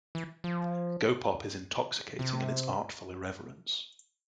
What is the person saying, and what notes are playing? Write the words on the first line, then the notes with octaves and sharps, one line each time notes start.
Go Pop is intoxicating in its artful irreverence.
E3
F3
C3